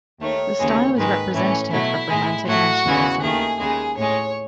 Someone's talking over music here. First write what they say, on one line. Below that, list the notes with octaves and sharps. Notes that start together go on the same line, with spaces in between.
The style is representative of romantic nationalism.
D#2 D#3 A3 C#5
D#2 C#3 E3 G#3
G#2 D#3 G#3 B4
A2 E3 A3 C#4
B2 F#3 A3 E4
A2 G#3
A2 F#3 A3 F#4
E2 C#3 E3 G#3
D#2 D#3 A3 G#4
D#2 C#3 G#3 G#4
A2 G#3 C#5